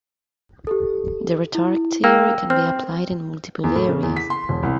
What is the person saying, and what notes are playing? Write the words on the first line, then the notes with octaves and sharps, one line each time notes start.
The rhetoric theory can be applied in multiple areas.
G4 A4
E4
A#3 G5 E6
C4 F6
E2
A2
C#3
E2
B6
C6
E1
C2